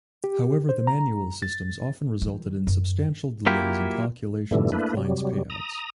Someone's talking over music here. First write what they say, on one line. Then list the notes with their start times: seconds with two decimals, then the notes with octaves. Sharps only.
However the manual systems often resulted in substantial delays in calculations of clients' payouts.
0.24 G4
0.69 C5
0.87 A#5
1.42 A6
2.22 D#3 F3
2.67 F#2
3.46 F#3 A#3 E4 F4 G4
4.51 G#2 B2 D3 E3 G3 A3
4.72 A3 A#3 D4 E4 B4
4.97 C3 F#3 G3
5.50 A#5 D#6